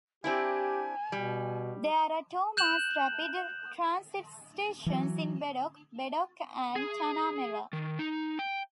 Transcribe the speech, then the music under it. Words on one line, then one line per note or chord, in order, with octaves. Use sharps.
There are two Mass Rapid Transit stations in Bedok, Bedok and Tanah Merah.
C4 D4 E4 G4 G#5
B2 G3
F#6 G6 E7 F#7
E3 F#3
G#4
D#3
D#4
G5